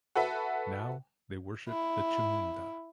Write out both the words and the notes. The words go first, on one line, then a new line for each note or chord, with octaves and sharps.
Now they worshipped the Chamunda.
F#4 A4 B4 E5
E4